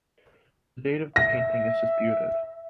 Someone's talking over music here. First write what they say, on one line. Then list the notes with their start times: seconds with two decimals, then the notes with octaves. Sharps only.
The date of the painting is disputed.
1.16 E5 A#6